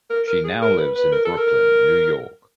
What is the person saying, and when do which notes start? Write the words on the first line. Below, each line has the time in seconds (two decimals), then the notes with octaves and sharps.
She now lives in Brooklyn, New York.
0.10 A#4
0.27 A#4
0.44 G#4
0.62 A#4
0.78 B4
0.95 B4
1.12 A#4
1.25 A4
1.38 A#4